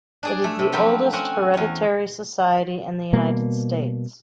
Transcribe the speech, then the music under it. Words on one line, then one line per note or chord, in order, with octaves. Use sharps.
It is the oldest hereditary society in the United States.
D4 G#4 D5
A3
C3
F3 F#3 B3 C4 F4 G4
C4 C#4 F#4 F#5
E2 C#5
B2 G3 A#3